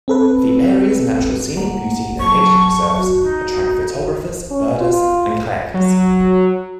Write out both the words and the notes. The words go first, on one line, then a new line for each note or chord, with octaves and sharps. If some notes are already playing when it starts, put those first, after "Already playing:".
The area's natural scenic beauty and nature preserves attract photographers, birders and kayakers.
C4 A4 B4
A#3 F#5
F#3 A5 C#6
F#4
D#4
C#4
F4
F#3